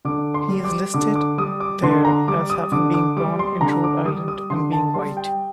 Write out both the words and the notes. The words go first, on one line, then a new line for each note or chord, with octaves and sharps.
He is listed there as having been born in Rhode Island and being white.
D3 D6
C6
G3
D6
D3 D6
D6
G3 D#6
D6
D3 C6
A#5
G3 D6
D#6
D3 D6
D6
G3 D6
C6
D3 A#5
D6
G3 D#6
D#6
D3 C6
A5
G3 C6
G5